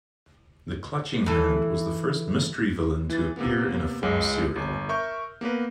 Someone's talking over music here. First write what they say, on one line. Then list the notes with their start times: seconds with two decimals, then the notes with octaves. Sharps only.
The Clutching Hand was the first mystery villain to appear in a film serial.
1.26 E3 A4
3.09 E3 A6
3.37 C3 A#3 B3
4.03 C#2 C#3 G#3
4.56 G1
4.89 A#4 E5 C#6 F6 G6
5.41 A#3 B3 A#4 B4